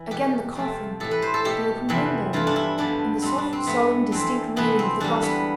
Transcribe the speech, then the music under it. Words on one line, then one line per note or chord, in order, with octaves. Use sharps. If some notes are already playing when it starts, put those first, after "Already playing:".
Again the coffin, the open window, and the soft, solemn, distinct reading of the Gospel.
Already playing: E3
E2 B2 A3 G4
F2 C3 F3 A3
A2 E3 A3 A4
B4
C5
A4
B2 A3 G4
F2 C3 E3 B3
G2 E3 A3 F4
D4
E4
G2 D3 F3 B3 D4
B2 G3 B3 C4
D4
C4
G2 E3 A3 B3
F2 E3 A3 C4
C3 E3 A3 B3
C4
E2 D3 G3 D4
B3